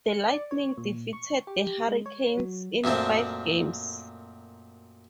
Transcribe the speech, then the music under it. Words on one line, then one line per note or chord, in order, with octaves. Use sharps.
The Lightning defeated the Hurricanes in five games.
C#7
D5
C#5
A#2
C#6
G4
G#3
C#5
F#3
F#2 A#2 A3 C4